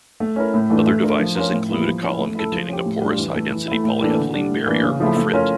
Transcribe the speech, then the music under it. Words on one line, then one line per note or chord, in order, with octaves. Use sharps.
Other devices include a column containing a porous high-density polyethylene barrier or frit.
A3
C#4 E4 A#4
A2
E3 A3 D4 F4
A3
D4 F4 A#4
F3
C#4 F4 A#4
A2
E3 G3 A#3 E4
F3
C#4 E4
A3
E4 A4
F3
C#4 G4
A2
G3 D4 F4
E3
A3 E4 A4
E3
A3 E4
A2
E3 A#3 D4 A4
D3
G3 D4
A2
E3 A#3 D4
C#3
F3 A3 E4
A3
C#4 F4 A#4